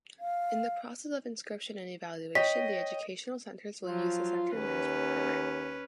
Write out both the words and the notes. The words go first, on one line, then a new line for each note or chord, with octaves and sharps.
In the process of inscription and evaluation the educational centers will use the Center Management Program.
F5
C#5 D#5 G5 B6
F3 F#3 F4
D#2 C#4 B4